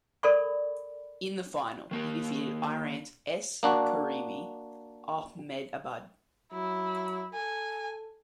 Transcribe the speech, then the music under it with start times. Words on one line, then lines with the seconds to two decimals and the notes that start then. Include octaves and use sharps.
In the final he defeated Iran's S Karimi Ahmedabad.
0.23 A4 A#4 D5 B5 C#6
1.91 D#3 A#3 A#4
3.63 A#3 D4 F#4
6.52 F#3 E4
7.34 A4 G#5